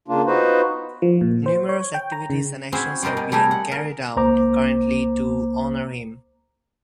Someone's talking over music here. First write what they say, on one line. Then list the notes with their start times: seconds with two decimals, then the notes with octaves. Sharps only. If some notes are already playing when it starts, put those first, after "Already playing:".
Numerous activities and actions are being carried out currently to honor him.
0.08 C#3 A#3 D4 F4
0.26 B3 D#4 F4 F#4 B4 C5
1.02 F3
1.21 A#2
1.46 C5
1.69 C#5
1.94 G5
2.12 A#5
2.30 C#3
2.72 C4 C#4 E4 F#4 G#4
3.02 G3 F4 G4 A#4 D#5
3.17 B2
3.32 G3 A3 G4 G#4 A#4
3.51 F#5
3.72 A#4
4.16 C#2 A#3 C5 A#5 D6